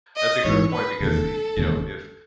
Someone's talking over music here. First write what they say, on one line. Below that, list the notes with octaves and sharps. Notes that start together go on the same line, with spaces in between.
that's a good point because, e you know, if
D#5
A1 G#2 E3 C#5
B4
E1 D#2 C#3 A4
E1 D#2 C#3